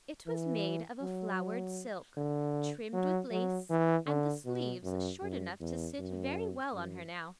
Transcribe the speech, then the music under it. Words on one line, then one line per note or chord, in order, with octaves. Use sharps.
It was made of a flowered silk, trimmed with lace, and the sleeves short enough to sit very well on her now.
E3
F#3
D3
F#3
F#3
E3
D3
B2
F#2
F#2
E2
F#2
F#2